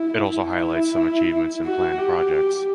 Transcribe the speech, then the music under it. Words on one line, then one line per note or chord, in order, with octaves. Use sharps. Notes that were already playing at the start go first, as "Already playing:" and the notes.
It also highlights some achievements and planned projects.
Already playing: E4
E4
F#4
G4
G4